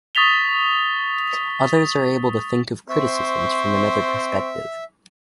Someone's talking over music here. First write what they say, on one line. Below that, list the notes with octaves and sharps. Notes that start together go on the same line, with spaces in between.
Others are able to think of criticisms from another perspective.
C#6 D#6 A6 B6 F7 G7
C4 C5 E5 C#6